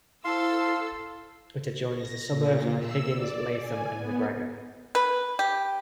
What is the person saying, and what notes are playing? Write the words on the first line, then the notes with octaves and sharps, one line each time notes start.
It adjoins the suburbs of Higgins, Latham and Macgregor.
E4 A4 C5 F5 C6 E6
A#6
A#2
E6
D5
G#5
B3
B4
G4